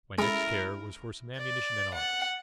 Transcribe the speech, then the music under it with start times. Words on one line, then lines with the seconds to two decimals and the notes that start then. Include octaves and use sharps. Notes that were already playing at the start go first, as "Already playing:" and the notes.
My next care was for some ammunition and arms.
0.18 G#3 E4 A4 A#4
1.38 D5
1.95 F#5